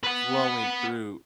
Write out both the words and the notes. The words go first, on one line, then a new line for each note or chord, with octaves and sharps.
flowing through
B4 F#5